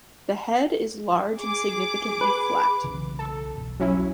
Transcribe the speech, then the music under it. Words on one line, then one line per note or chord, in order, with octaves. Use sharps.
The head is large and significantly flat.
G#4 D6
B4
B1 C#3 E3
A4
E1 B1
F#3 C#4 E4